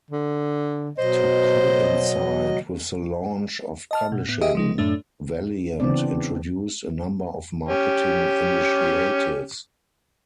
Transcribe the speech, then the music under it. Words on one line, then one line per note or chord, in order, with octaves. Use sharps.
To coincide with the launch of publishing, Valiant introduced a number of marketing initiatives.
D3
B2 F#3 C5 D#5
D#5 A5 F6
B2
A2 B3
G4 G#4 D#5 E5
F3 G#3 D#4
F#2 A2 A3 D4
C#3 E3 B3 C4 D4 D5
C#4 G4